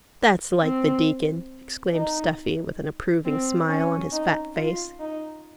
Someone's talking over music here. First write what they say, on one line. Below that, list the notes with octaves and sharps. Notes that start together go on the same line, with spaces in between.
'That's like the Deacon!' exclaimed Stuffy, with an approving smile on his fat face.
C4
D#4
C4
C#4
D#4
F4
D#4